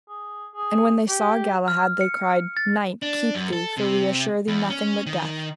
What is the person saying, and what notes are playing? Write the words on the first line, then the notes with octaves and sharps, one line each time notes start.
And when they saw Galahad they cried: Knight, keep thee, for we assure thee nothing but death.
G#4
G#4
G4
F6
C#7
A6
D4
F#2
A4
C3
E2
C#4
D#3